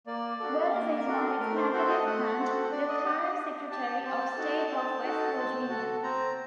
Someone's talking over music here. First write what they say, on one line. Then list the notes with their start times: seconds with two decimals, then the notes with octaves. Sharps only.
Wells is married to Natalie Tennant, the current Secretary of State of West Virginia.
0.07 A#3 D5
0.40 D4 F#4 A4
0.73 A#3 A#4
1.06 D4 F#4 A4
1.39 A3 A#4
1.56 C5
1.72 C4 F#4 A4 C5
1.89 D#5
2.06 A3 F#5
2.39 C4 F#4 A4
2.72 D4 D5
2.88 D#5
3.05 G4 F#5
3.21 D#5
3.38 D4
3.71 G4 A5
4.04 C4 A5
4.37 D#4 F#4 A4
4.70 C4
5.03 D#4 F#4 A4
5.36 C4
5.70 F#4 A4
6.03 C4 A#5